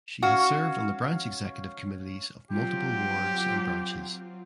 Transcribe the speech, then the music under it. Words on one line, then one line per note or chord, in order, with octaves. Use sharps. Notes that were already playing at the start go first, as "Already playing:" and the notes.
She has served on the branch executive committees of multiple wards and branches.
C#4 F#4 F5
F#3 C4 F4 G4